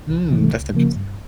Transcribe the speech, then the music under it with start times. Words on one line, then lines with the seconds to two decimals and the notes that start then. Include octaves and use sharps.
Hmm, that's interesting.
0.10 C2
0.31 C3 E3 A3
0.52 C#2
0.74 C#3 F3 A#3
0.96 G2